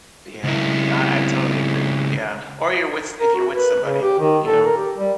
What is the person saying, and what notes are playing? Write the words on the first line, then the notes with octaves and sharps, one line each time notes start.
Yeah. I I totally agree. Yeah. Or you're with s if you're with somebody, you know?
C#2 E4
A#4
F#4
B4
C#3
G4
D#3
A4
A#4
G4
G3